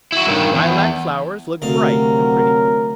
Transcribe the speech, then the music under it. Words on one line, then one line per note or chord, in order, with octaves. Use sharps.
Their lilac flowers look bright and pretty.
E4 F#4
G2 D#3
E2
D2 C3 F#3 A#4 F5